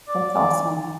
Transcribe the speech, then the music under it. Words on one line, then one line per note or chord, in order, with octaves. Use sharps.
That's awesome.
D5